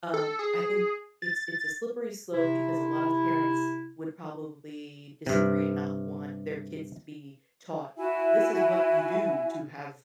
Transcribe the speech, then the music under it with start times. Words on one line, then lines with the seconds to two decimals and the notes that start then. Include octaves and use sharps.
um, I think it's it's a slippery slope because a lot of parents would probably disagree and not want their kids to be taught, "This is what you do to have,"
0.14 A4
0.39 G#4
1.22 A6
2.33 C3 E4
5.26 G2 C3
7.97 E4 F#4 E5 G#5